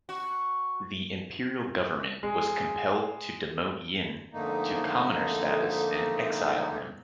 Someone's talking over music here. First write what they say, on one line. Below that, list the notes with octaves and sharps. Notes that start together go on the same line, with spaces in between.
The imperial government was compelled to demote Yin to commoner status and exile him.
F#4
G#3
F2 G#2 D3 A3 A#3 D#4